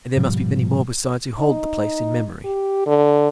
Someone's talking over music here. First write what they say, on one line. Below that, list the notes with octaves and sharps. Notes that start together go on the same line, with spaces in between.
And there must be many more besides who hold the place in memory.
G#2 B2 F3 G3
D#4
G4
D3